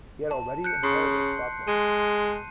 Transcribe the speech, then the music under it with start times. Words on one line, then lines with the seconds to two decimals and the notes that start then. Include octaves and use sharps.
He had already inherited Broadlands.
0.31 A5
0.64 F#6 G6 C#7
0.83 C#3 C6 C7
1.68 G#3 D#7